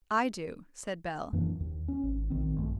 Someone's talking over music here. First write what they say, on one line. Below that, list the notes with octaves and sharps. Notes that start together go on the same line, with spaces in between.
"I do," said Bell.
F#2 E3 A#3 D4
D#2
C#4
G#1
A#1 D#3 C4
A#1 G2 A3